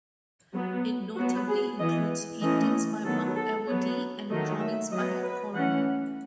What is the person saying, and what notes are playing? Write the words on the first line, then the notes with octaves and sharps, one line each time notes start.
It notably includes paintings by Marc Awodey and drawings by Ed Koren.
F#3 B3
F#3 B3 F#4
G#4
E3 B3 D#5
E3 A3 C#4 D#5
D#3 F#3 B3 A4
A4
F#3 B3 C#5
D#3 F#3 A3 D#5
E5
F#3 B3 D#5
B4
E3 A3 C#4 F#5